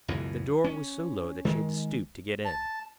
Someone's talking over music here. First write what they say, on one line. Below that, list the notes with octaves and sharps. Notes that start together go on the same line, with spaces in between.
The door was so low that she had to stoop to get in.
C#2 F#2 B2 E3
C#4
D#3 G#3
A5